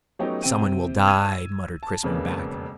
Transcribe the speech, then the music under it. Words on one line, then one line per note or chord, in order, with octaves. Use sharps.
"Someone will die," muttered Crispin back.
F#3 A3 B3 C#4 D#4 G4
C3 C4 G5 D#7
E6 G#6 D#7
A5
E1 F2 C#3 A#3 B4